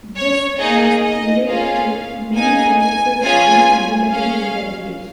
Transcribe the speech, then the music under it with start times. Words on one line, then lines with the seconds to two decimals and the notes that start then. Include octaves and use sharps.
This has led to many services being available in the village.
0.16 C#5
0.59 A#3 D#4 G#4 D#5
1.02 D#5
1.46 A#3 C#4 F4 G#4 F5
2.34 A#3 D#4 G#4 G#5
2.79 G#5
3.23 C#4 F4 G#4 G#5
4.10 C#4 G#4 F5